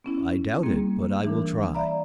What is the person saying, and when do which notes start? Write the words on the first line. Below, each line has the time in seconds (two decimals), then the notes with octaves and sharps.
"I doubt it, but I will try."
0.04 B3 C#4 E4
0.63 G3 A#3 C4 G#4
1.24 E3 D4 A#4
1.74 D5 E5 F5 A#5 B5